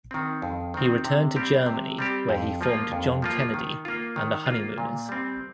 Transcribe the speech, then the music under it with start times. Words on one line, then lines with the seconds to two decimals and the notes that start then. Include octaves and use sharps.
He returned to Germany where he formed John Kennedy and the Honeymooners.
0.11 D#3 C4
0.42 F2
0.74 D#3 C4
1.05 C3
1.36 G3 C4 G4
1.66 C3
1.99 G3 C4 G4
2.29 F2
2.61 F3 A#3 F4
2.92 F2
3.22 F3 A#3 F4
3.54 D#3
3.85 A#3 F4
4.16 D#3
4.46 A#3 F4
4.78 A#2
5.09 G3 C4